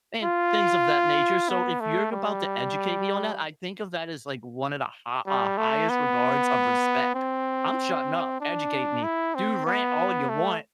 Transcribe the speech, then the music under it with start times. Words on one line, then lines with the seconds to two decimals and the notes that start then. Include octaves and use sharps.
and things of that nature, so, if you're about to educate me on that, I think of that as, like, one of the ha ah, highest regards of respect. I'm shutting up. Educate me. Dude, rant all ya want
0.23 F4
1.49 B3
1.80 A3
2.12 G3
5.26 G3
5.57 A3
5.89 B3
7.15 C4
8.40 D4
9.03 E4
9.35 C4
9.66 B3
10.29 A3